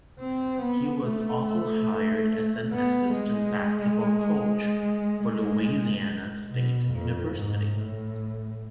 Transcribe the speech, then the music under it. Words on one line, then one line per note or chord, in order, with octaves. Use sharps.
He was also hired as an assistant basketball coach for Louisiana State University.
C4
B3
A3
A3
B3
G#3
G#3
B2
F2
G#2
A2